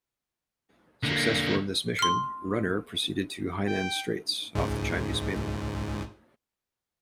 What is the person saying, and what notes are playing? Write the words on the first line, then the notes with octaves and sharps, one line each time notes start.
Successful in this mission, "Runner" proceeded to Hainan Straits, off the Chinese mainland.
D3 A#3
C6 F6
G5
C#2 G#2